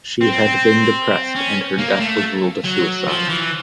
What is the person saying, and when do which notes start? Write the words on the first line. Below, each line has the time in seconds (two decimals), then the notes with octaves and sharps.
She had been depressed and her death was ruled a suicide.
0.21 C4
1.36 C#4
1.79 A#3
2.00 A3
2.64 F#3
3.07 F3
3.29 E3